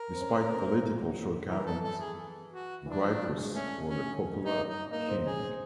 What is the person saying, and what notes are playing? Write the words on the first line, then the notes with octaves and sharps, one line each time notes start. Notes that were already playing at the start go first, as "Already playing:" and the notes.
Despite political shortcomings, Grypus was a popular king.
Already playing: A#4
C4
C#4
C4
C#4
C4
C#4
C4
E3 A#4
A4
A4
G#4
F#4
E3 D4
F#3
F3
F#3
G#3
A3 C#4
C#4
D#4
D#4
A#3 D#4
C4
C#4 G#4
C4